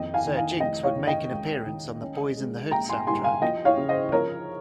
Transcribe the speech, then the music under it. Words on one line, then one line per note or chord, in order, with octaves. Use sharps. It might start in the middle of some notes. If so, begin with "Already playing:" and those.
Sir Jinx would make an appearance on the Boyz n the Hood soundtrack.
Already playing: F2 D#3 D#5 G5
F5 G#5
D#3
F5 G#5
F1 D#5 G5
C#5 F5
D#3
D#5 G5
C#2
D#3
C#4
G#3
A#1 G5 A#5
G#5 C6
G3 G#5 C6
F5 G#5
F3 D#5 G5
C#5 F5
C#3
C5 D#5
F3 A#4 C#5